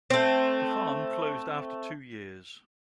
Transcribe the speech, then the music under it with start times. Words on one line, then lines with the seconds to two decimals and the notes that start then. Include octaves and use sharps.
The farm closed after two years.
0.10 A3 C4